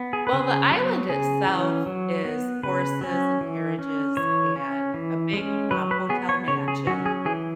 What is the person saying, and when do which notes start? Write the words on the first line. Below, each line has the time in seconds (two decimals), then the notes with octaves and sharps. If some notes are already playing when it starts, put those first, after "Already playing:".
Well, the island itself is horses and carriages and a big, um, hotel mansion
Already playing: B3
0.13 G#4
0.27 B4
0.33 C#3
0.40 G#4
0.71 F#3 B3
1.09 C#3 G#4
1.47 E3 C#4
1.86 F#3
2.25 B3
2.63 C#3 B4
3.01 F#3 C#4
3.41 E3
3.79 C#4
4.17 E3 C#5
4.56 C#4
4.94 E3
5.33 G#3 C#4
5.71 F#3 B4
5.91 B4
6.09 B3 G#4
6.29 C#5
6.48 C#3 C#5
6.68 G#4
6.87 F#3 C#4 F#4
7.06 G#4
7.25 E3 G#4